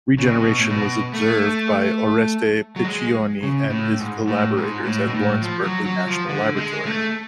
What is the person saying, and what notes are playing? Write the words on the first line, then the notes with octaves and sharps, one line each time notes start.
Regeneration was observed by Oreste Piccioni and his collaborators at Lawrence Berkeley National Laboratory.
C#3
B2
A2
B2
A3
F#3
G#3
C#3
A2
G#2
A2
G#2
A2
B2
A2
F3
F#3
F#3
F3
D3
G#3
A3